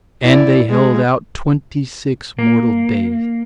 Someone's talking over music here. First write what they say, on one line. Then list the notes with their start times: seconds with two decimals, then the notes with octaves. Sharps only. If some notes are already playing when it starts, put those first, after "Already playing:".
And they held out twenty-six mortal days.
0.23 E4 D5
0.71 G#3
2.39 A#3